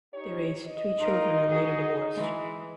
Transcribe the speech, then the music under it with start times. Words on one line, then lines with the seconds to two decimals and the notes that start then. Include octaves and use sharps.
They raised three children and later divorced.
0.13 D#4 G4 C#5
0.66 D#5
1.01 D#4 F4 A#4
1.47 F#4 G#4
2.13 E3 G#3